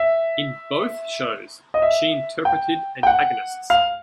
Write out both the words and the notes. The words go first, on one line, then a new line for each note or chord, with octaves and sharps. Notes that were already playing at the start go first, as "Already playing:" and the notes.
In both shows she interpreted antagonists.
Already playing: E5
D#5
E5
G5
G5
F#5
F5